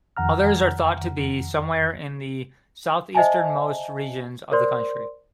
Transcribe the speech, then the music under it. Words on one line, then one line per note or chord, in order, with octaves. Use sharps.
Others are thought to be somewhere in the southeastern-most regions of the country.
F2 D#3 F#5 A#5 F6
C5 D#5 E5 F#5 G#5 A5
A#4 C5 D5 C6